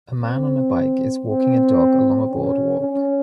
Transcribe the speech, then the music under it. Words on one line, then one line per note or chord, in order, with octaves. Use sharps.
A man on a bike is walking a dog along a boardwalk.
C4
C4
C#4
C#4